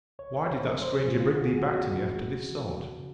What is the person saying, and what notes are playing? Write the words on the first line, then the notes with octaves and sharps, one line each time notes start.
Why did that stranger bring thee back to me after this sort?
C#2 C#5
C#5
C3 F3
C5
C#2 A#4
C5
C3 F3 G#4
F4
C#2 F4
F#4
C#3 F3 G#4
F#4
C#2 F#4
C#3 F3
D#2
C#3 F3
D#2
C#3